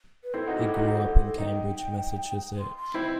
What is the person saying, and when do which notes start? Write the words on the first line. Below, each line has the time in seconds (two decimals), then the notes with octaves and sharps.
He grew up in Cambridge, Massachusetts.
0.24 B4
0.34 C4 E4 A4
0.47 D#4 F#4
0.60 E4 G4
0.73 D#4 F#4
0.86 D#4 F#4
1.38 D#4 G5
2.59 C6
2.78 C6
2.94 C4 E4 B5